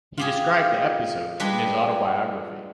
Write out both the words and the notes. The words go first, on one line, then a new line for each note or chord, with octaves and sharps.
He described the episode in his autobiography.
F4 G4 G#4
G3 G#3 D4 G4 B4